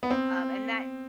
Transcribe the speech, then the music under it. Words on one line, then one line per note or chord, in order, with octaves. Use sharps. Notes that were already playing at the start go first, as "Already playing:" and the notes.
um and that
B3
C4